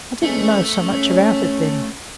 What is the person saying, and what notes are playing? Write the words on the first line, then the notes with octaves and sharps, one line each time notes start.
I didn't know so much about it then.
E3 G#3 A3 C#4
C#4